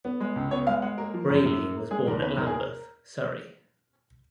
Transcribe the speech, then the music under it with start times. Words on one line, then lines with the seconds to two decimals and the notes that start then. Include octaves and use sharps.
Brayley was born at Lambeth, Surrey.
0.05 B3
0.20 G#3
0.36 C#2
0.51 B3 C#5
0.67 G#3 F5
0.82 G#3 F#5
0.98 A#3 A#4
1.14 F3
1.29 F#2
1.45 F#2
1.60 A#3
1.76 A#3
1.91 G#3 G#4
2.07 D#2 A#4
2.22 B3 B4
2.37 D#2 A#4
2.47 G#4
2.54 A#4